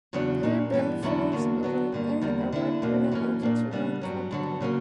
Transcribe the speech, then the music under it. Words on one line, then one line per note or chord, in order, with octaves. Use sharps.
Pyburn Films is an Emmy Award winning entertainment company.
E2 C#3 F#3 B3 D4
A#2 A#3 D4
G2 E3 B3 D4
E2 D3 F#3 C#4 E4
E2 D3 F#3 A#3
D3 F#3 B3 D4
G2 D3 A#3
E2 D3 G3 A#3
D3 A#3 E4
E2 B2 A#3 D4
F#2 E3 A#3 C#4
A#2 A#3 D4
C#3 G3 B3 D4
G2 F#3 C#4
G2 D3 F#3
C#3 F#3 A#3 C#4